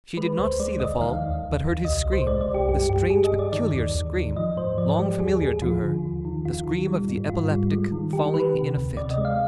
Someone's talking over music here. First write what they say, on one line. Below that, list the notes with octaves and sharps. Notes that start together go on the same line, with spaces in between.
She did not see the fall, but heard his scream--the strange, peculiar scream, long familiar to her--the scream of the epileptic falling in a fit.
G#3 B4
D2 C5
G#3 D5
D2 D#5
D#3 F5
D#2
D#2
D#2
C2 D#5
C2
C5
G#3 D5
D5
C2
G4
G2 G4
G2 G4
G2 G#4
D#5
G2
D5
D#3 D5
D#2
D#2
D#3
F3 D#5
G#2 C5
F3 D5
G#3 G4
D#2 G#4
D#2 G#4
F3 F4
D3
D#2
D#3
D#2 F4
D#3
G3
G#2
G#2 F4
G3
G#3
D#3
D#3 G4
D#3 B4
C3
D2
C3 D5
D#5
G#3
F5